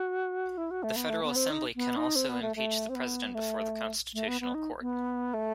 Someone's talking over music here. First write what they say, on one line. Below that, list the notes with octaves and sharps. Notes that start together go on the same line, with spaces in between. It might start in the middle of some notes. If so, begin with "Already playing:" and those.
The Federal Assembly can also impeach the president before the Constitutional Court.
Already playing: F#4
E4
F#4
A3
B3
A3
B3
C4
D#4
B3
D#4
C4
B3
A3
A3
C4
B3
A3
A3
B3
B3
D#4
B3
A3